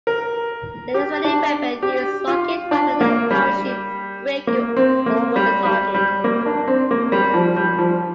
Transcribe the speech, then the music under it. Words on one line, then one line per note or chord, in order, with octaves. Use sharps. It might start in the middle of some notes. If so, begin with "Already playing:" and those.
The Israeli weapon used rocket rather than parachute braking over the target.
A#4
G4
D4
G4
F4
D4
A#3
G3
A#3
C4
A#3
G3
G3
G3
A#3
D4
C4
A#3
G3
F3
G3
F3